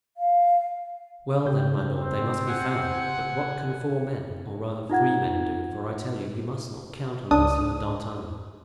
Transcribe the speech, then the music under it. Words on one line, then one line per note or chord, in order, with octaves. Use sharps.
"Well, then, my lord, they must be found; but what can four men, or rather three men do--for I tell you, you must not count on Monsieur d'Artagnan."
F5
C#3 G4 G6
C4
F#5 G#5
D#4 F4 F#5 G#6
C#2 D4 D#6